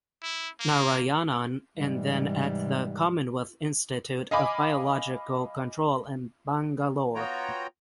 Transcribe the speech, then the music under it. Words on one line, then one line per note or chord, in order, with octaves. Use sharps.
Narayanan and then at the Commonwealth Institute of Biological Control in Bangalore.
E4
A#3
G#2 C3 E3 G3 G#3
D#5 F5 G#5 B5 D6
B3 F4 F#4 C#5 G5 A#5